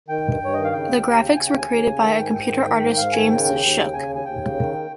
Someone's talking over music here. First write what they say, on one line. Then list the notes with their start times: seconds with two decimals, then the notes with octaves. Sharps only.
The graphics were created by computer artist James Shook.
0.08 D#3 G5
0.25 G2
0.42 G2 C#5
0.54 D#3 D#5
0.64 F5
0.73 C#3 G5
0.89 D#2
1.05 D#2
1.21 C#3
1.36 C#3 G#5
1.47 G5
1.52 D#2
1.58 G#5
1.69 D#2
1.85 C#3
2.01 D#3 G5
2.17 G#2
2.26 G#5
2.33 G#2 G5
2.49 D#3
2.64 D#3
2.81 G#2
2.97 G#2 F5
3.13 D#3 G#5
3.29 C#3 G5
3.45 D#2
3.61 D#2
3.77 C#3
3.92 C#3 G#5
4.09 D#2
4.15 G#5
4.25 D#2 G5
4.41 C#3
4.57 D#3